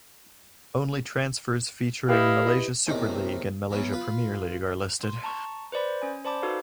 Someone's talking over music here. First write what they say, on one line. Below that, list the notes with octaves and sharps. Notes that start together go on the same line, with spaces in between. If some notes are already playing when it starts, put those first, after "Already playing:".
Only transfers featuring Malaysia Super League and Malaysia Premier League are listed.
E4 G4 B4 D#5 F5
E2 A2 C3 D#3 D#4
E3 F#3 B3 C#4
F4 B4
C6
A5 A#5 C#6
B4 C5 D5 B5
C#4 G#5
C5 D5 A5 B5 D6
D#4 F#4 A4 B4 C5 F5